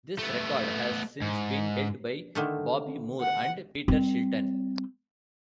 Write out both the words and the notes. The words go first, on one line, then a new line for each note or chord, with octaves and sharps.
This record has since been held by Bobby Moore and Peter Shilton.
A3 B3
G#2
D3 D#3 A3
F#5
G3 C4